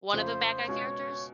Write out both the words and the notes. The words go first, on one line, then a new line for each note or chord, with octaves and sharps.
One of the bad guy characters?
F2 C#3 F3 A3 C5
B2 G#3 C#4 F4 C#5